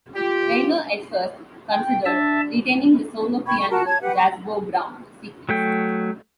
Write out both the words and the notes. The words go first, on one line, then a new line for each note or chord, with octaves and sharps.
Reiner at first considered retaining the solo piano "Jazzbo Brown" sequence.
F4 G4
G5
D4 E5 A5
G5 B5 C#6 G#6
C#6
F#4 A#4 A5 A#5
C#5 A5 G#6
G4 B4 F#5
G4 C#6
F#3 A3 G5